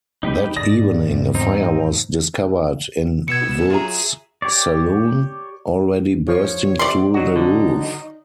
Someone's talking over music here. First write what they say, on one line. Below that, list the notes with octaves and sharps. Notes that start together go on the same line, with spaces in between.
That evening, a fire was discovered in Wood's Saloon, already bursting through the roof.
C3 F#3 G3 D#4 G4 B4
D2 G#2 D5 D#6 A#6
E2 G#2
E3 G#3 C4 D#4
B2 B3 E6 G#6 C#7
F#3 F4 G#4 E5 A#5
G4 C#5 D5
F3 C#5
C3 D5 C6
F#3 D#4 F#4
D3